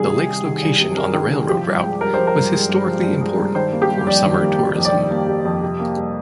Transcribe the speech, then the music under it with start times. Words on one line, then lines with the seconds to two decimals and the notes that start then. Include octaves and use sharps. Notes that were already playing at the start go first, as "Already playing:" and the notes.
The lake’s location on the railroad route was historically important for summer tourism.
Already playing: C2 C3 D#3 G3 G#4
0.11 C3
0.28 G3
0.45 D#3
0.63 C2
0.80 C3
0.97 G3 A#4
1.14 D#3
1.31 C2
1.49 F3 G4
1.66 G2
1.83 G#3
2.00 G2 A#4
2.14 F3 C5
2.27 A#4
2.35 G2
2.52 G#3
2.69 G2
2.86 F3
3.04 G2
3.21 G#3
3.38 G2
3.55 D#3 C5
3.73 A#3
3.82 G4
3.90 G3
4.07 F2 D5
4.25 D#3
4.41 A#3
4.59 G3
4.76 F2
4.85 D5
4.93 D#3
5.11 A#3
5.28 G3
5.45 F2
5.62 C3
5.80 A#3
5.96 G3